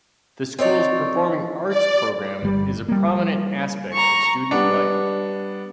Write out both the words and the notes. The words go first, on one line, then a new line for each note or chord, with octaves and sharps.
The school's performing arts program is a prominent aspect of student life.
C4 D#4 C#5 D5
D5
G1 G3
G3 A#3
A#5 C#6
G3 B3 D4